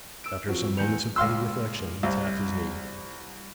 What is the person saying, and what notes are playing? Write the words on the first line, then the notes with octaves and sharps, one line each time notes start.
After some moments of pained reflection he tapped his knee.
E6 D7
F3 F#3 C4 F#4
E2 G6 C#7 F7
C#2 F5 C6 E6
C2